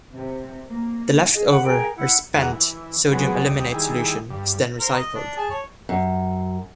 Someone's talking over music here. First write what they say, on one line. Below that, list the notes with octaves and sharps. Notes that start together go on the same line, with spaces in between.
The left-over or 'spent' sodium aluminate solution is then recycled.
C3
A#3
G#4 D#5
F#5 B5
G#4 A#4 G5
E4 F#5
E2 G#3 F#4 A#4 F#5
E3
F#3 G#3 B3
D2 G3 D#5
D#3 G3 E4 G#4
G2
A#4 C5
D#5
D4
G#4 A5
C#5
F#2